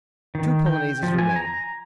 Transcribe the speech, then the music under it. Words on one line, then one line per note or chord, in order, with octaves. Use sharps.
Two Polonaises remain.
D#3
G5
F3
G#5
A#5